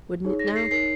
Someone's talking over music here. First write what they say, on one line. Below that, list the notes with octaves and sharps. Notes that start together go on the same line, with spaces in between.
Wouldn't it now?'
D#4 G#4 C#5
A#6
C7
D#4 A#4 C#5 C7